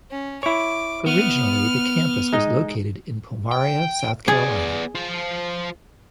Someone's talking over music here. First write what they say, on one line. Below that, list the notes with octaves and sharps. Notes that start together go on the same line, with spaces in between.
Originally, the campus was located in Pomaria, South Carolina.
C#4
E4 C#5 D6
B3 F6
G#3 D#4 D#5
G5
B3 G#4 D5
F4 C5